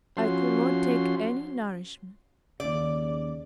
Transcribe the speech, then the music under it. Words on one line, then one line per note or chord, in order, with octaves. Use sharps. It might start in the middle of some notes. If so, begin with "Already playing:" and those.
I could not take any nourishment.
F3 C#4 F#4 C6
D#2 C#3 D5